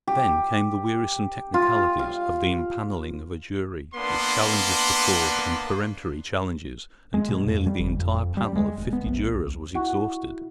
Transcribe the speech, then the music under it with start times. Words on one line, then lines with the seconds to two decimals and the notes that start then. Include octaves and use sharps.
Then came the wearisome technicalities of the empaneling of a jury, with challenges for cause and peremptory challenges, until nearly the entire panel of fifty jurors was exhausted.
0.07 G4
1.54 F4
1.99 F5
3.95 A#3 B3 D4 C6
7.14 G#3
7.29 B2
7.47 F2
7.66 G3
7.79 G1
7.99 F2
8.37 G3
8.56 G#3
8.78 D#1
8.93 B3
9.06 A#1
9.34 C2
9.75 E4 F#4